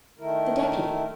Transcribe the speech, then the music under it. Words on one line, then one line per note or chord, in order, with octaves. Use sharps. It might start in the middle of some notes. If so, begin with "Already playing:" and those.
"The deputy."
D#3 A3 E4 A#4